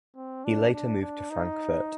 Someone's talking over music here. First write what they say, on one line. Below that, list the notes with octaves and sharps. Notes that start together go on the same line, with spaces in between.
He later moved to Frankfurt.
C4
D4
D4
D4
D#4